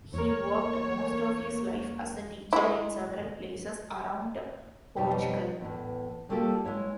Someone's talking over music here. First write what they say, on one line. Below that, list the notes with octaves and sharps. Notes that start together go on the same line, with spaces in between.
He worked most of his life as a teacher in several places around Portugal.
E2 A3 A#3 A#4 C#5
G#3 E4
F2 B2 G3 D#4 G4 C#5
E2 A2
G3 A3 A#3 F4 G4 A4
G#3 E4 C#5 F5